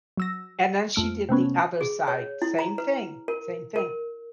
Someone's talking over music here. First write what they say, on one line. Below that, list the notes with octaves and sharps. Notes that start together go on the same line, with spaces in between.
and then she did the other side. Same thing, same thing,
F#3 E6 A#6
F2 A3 F6 D7
C3 A3 B3 C#4
G#4
C#5
E4
A#5
B4
A#4
A#4